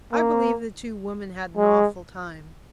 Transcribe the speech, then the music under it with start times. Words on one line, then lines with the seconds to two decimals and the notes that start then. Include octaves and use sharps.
I believe the two women had an awful time.
0.13 A#3
1.57 G#3